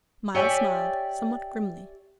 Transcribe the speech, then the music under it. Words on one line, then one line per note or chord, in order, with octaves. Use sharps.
Myles smiled somewhat grimly.
G4 C#5 D5 E5 G5 G#5